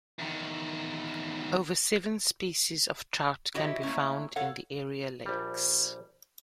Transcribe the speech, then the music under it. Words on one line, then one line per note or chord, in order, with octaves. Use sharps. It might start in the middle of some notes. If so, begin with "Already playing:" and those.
Over seven species of trout can be found in the area lakes.
E2 D#3
E4 F#4 G4 C#5 D#5 E5
A3 A#3 C#4 E4
A4 C#5 F5 F#5
A#1 G3